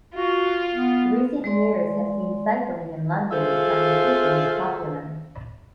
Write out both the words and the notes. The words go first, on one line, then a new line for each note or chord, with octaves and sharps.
Recent years have seen cycling in London become increasingly popular.
F4 F#4
B3
G#3 D5 C6
F4 G#4 A4 C5 E5 F5